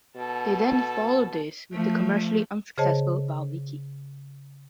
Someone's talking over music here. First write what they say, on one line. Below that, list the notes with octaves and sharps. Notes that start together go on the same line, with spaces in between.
They then followed this with the commercially unsuccessful Valmiki.
B2 A4 A5
F3 A3
C#3 G#4 C5 C#5 D#5 A5